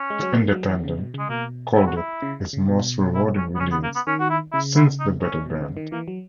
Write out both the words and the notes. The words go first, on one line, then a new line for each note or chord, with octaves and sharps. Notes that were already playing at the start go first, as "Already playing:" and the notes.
The Independent called it "his most rewarding release since the Beta Band".
Already playing: C#4
G#3
F#3
A#3
F#3
E3
C#3
B2
C#3
G#3
B2 A#3
E4
F#4
E4
C#3
C#3
B2
E4
C#4
B3
C#3 C#4
B3
A#3
B3
D#3 C#4
F#4
E4
C#3 E4
E4
D#4
C#4
B2
D#3
C#3
D#3
E3 A#3
F#3